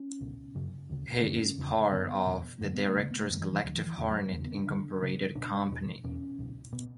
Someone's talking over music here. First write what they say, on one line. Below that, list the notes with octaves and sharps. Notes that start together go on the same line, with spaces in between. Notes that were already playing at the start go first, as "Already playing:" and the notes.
He is part of the Directors Collective Hornet Incorporated company.
Already playing: C#4
C#2 B2
F#2 C#3
D2 C#3
F#2 D3 C#4
E2 C#3
F#2 D3 B3
E2 B2
F#2 D3 A3
B3
A3
D2 C#3
B3
A3
F#2 D3 G3
E3
E3
D2 D3 F#3
E3
E3
E2 C#3 E3
F#3
G3
E2 C#3 B3
B3
D4
D2 D3
D2 C#3
C#2 B2 D4
E2 B2
E2 B2 C#4
C#2 B2
B2 B3